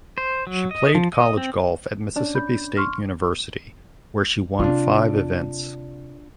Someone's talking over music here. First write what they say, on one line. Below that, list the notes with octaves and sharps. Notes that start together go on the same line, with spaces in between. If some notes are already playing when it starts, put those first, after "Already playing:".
She played college golf at Mississippi State University where she won five events.
C5
F#3
D#5
F3
D#5
C4
C#4 D4 D5
B5 G6
C6 C#6 F6
C3 D4 F4